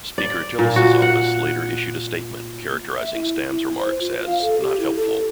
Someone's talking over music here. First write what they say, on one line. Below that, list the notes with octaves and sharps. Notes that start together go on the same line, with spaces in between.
Speaker Tillis' office later issued a statement characterizing Stam's remarks as "not helpful".
D5
A#2
F#4
F#5
E5
E4
E4
C5
F4
F5
A4
G4
E4
A4